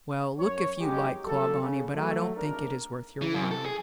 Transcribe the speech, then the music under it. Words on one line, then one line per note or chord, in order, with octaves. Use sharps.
"Well, look if you like, Clawbonny, but I don't think it is worth your while."
F#2 C#5
G1 D#2 F#3 G#3 D#4 G4
F#3 G3 A#3 A4
C#3
F#3 A3
G#1 D4 A#4
E3
F#2
A4
G#4